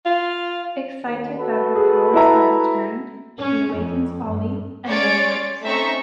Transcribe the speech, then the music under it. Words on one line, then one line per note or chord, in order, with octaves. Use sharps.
Excited that her powers have returned, she awakens Ollie, and they embrace.
F4
D#2
F#4 A4 B4
G#4
E4 E5 A#5
C#4
F2
G2
C#4 C#5 D5 C6 A6 D7
A3 C4 C#4 D#4 E5 C#6